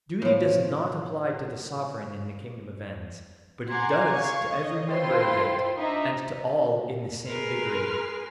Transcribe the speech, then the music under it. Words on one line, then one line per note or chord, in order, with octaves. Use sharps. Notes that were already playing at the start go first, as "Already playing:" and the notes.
Duty does not apply to the sovereign in the kingdom of ends, but it does to every member of it and to all in the same degree.
A2 F3
F#5 G#5 A#5 C6 D6 G#6
F5 C#6 G#6
C#5 D#5
E4 F4 A4 C5 G5 C6
D4 D#4 D#5 E5
G#4 A#4 B4 C6 F6